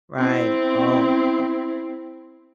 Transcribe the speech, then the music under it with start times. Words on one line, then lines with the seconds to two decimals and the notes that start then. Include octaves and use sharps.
Right oh, oh
0.19 C4 E4